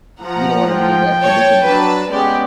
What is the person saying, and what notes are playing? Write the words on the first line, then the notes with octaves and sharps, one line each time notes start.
You don't wanna be in that predicament.
F3 F#5 A#5
G5
C#5 A5
F#3 D4 B4 A5
G#3 B3 C#4 G4 D5